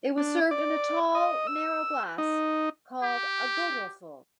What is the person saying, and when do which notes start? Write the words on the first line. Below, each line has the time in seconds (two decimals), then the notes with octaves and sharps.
It was served in a tall, narrow glass called a "Goderulffe".
0.17 D4
0.51 D5
1.15 D#5
1.47 E6
2.18 D#4
3.03 G4